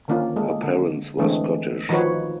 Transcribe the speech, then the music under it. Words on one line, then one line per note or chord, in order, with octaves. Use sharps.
Her parents were Scottish.
D3 D#3 A#3 C#4 F4
G#3 A#3 A4
D3
D3 E3 G#3 A3 C4 D4
D#3 F3 D#4 F#4 B4 C#5